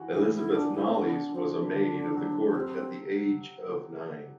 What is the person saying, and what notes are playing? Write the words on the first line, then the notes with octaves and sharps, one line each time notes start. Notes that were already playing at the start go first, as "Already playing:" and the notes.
Elizabeth Knollys was a maid of the court at the age of nine.
Already playing: E3 F#4
E3 E4
E4
B3 D4
E4
C4
D4 F#4
C4 D4
D3
F#3
C4 G4